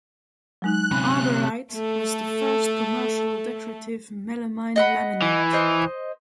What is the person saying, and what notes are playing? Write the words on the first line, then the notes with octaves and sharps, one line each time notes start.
Arborite was the first commercial decorative melamine laminate.
F#3 G#3 D#4 F#6
C3 C#4 B5
A3 A4
D#5 F#5 B5
E3
C5 D#5